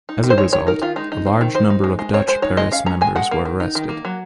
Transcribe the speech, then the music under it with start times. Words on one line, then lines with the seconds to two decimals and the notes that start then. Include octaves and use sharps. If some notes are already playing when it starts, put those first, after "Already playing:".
As a result, a large number of Dutch-Paris members were arrested.
0.09 D#4
0.24 D#3
0.30 C5
0.38 G#3 C#5
0.52 D#3 C#5
0.67 D#4 A#4
0.82 D#3 F4
0.96 G#3 D#4
1.12 D#4
1.26 C4
1.41 D#3
1.55 D#4 C5
1.70 D#4
1.84 G#3
1.99 G#3
2.14 C4 C#5
2.28 G#3 C5
2.42 D#4 C#5
2.57 G#3 D#5
2.72 C#4 F5
2.86 C#4 A#5
3.01 G#3 G#5
3.16 G#3 F#5
3.31 A#3
3.45 D#3
3.60 D#4
3.75 D#3
3.89 A#3
4.05 F#3